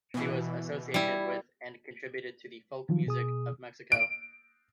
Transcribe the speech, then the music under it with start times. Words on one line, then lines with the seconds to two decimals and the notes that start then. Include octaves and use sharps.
She was associated with and contributed to the folk music of Mexico.
0.14 B2 E3
0.94 G3 E4
2.89 D#3 F3 F#3 F4
3.06 B2 G#4 D#6
3.92 D7